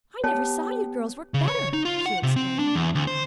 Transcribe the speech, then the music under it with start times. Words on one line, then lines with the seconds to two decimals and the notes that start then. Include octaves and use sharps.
"I never saw you girls work better!" she exclaimed.
0.24 B3 G4 C#5 A5
1.34 C#3
1.48 C#5
1.73 D#4
1.85 F4
2.06 F#5
2.23 C3
2.36 C4
2.59 D4
2.76 E2
2.95 D2
3.07 C5